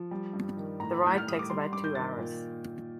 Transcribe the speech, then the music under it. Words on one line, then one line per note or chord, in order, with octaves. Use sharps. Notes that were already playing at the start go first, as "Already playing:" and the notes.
The ride takes about two hours.
Already playing: F3
G3
G2
D#3
A2 A#5
A2 G6
F6
G3 D#6
D6
G3 C6
G2 D6
G6
D#3 A6
A#2